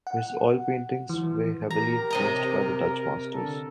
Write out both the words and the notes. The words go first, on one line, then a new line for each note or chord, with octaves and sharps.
His oil paintings were heavily influenced by the Dutch Masters.
F#5
E3
G4 A#4 A#5
C3 D#5 A#5
D3 A4